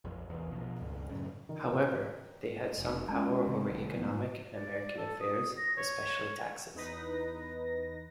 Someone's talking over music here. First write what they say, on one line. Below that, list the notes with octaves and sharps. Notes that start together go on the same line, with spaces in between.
However, they had some power over economic and American affairs, especially taxes.
A#1 F2
A#1 E2
B2 F3
C#2 G2
F#2 A2 C#3
D#3
F1
G#3 C#4
C3 D#3 G#3 C4
B1 D3 G3
D3 F3 A3 B3
G#2
D5
A4
D#6
A#6
C#5
E2 D#4 B4 A#6